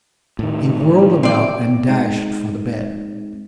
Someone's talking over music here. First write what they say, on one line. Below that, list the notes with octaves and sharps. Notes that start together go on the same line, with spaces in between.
He whirled about and dashed for the bed.
A2 D#3
C4 D5
G#3 C4 D#4